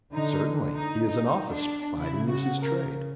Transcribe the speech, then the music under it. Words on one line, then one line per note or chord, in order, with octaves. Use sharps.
"Certainly; he is an officer--fighting is his trade."
D3 D#4
D#4
D#4
D4
C#3 E4
F#4
A#4